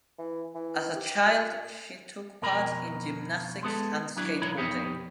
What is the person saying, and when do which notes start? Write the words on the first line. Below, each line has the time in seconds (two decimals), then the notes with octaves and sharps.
As a child she took part in gymnastics and skateboarding.
0.19 E3
0.55 E3
0.96 G4
1.27 A#2
2.42 F2 B2 A#4 A#5 B5
3.63 G#3 B3 A4
4.17 F#3 D4 E4
4.42 B1 E3 D#4 C#5 B5
4.57 F2 B2 B3 D#4 G4 C#5